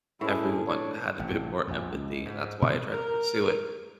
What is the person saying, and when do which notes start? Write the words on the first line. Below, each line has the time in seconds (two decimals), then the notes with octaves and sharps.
everyone had a bit more empathy, and that's why I try to pursue it.
0.21 A2 C#4 E4 G#4 B4 A5
0.67 D4 C#5
1.19 A1 C3
1.67 A#1 F2
1.92 C#2
2.25 G#2
2.62 B2 D#3 A3 B3
2.92 A#4